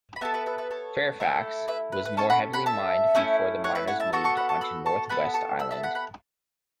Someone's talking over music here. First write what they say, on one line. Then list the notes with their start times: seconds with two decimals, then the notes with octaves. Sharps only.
Fairfax was more heavily mined before the miners moved onto North West Island.
0.16 B5
0.21 B3 A4 E5 A5
0.34 B4 E5
0.46 B4 E5
0.58 B4 E5
0.71 A4 C#5
1.20 A3 E4 A4
1.68 B4 E5
1.92 B4
2.05 B4
2.17 C#4 A4 A5 C#6
2.30 F#5 B5
2.53 F#5 B5
2.66 E5 A5
3.15 A3 C#4 E4
3.64 C#5 F#5
3.75 B4 E5
3.87 C#5 F#5
4.00 E5 A5
4.13 B3 F#4 A4 A5 C#6
4.24 A5 C#6
4.37 F#5 B5
4.49 A5 C#6
4.61 B5 E6
4.86 A5 C#6
5.09 B3 A4 F#5 B5
5.34 A5 C#6
5.59 B5 E6
5.71 E5 A5
5.83 F#5 B5
5.95 F#5 B5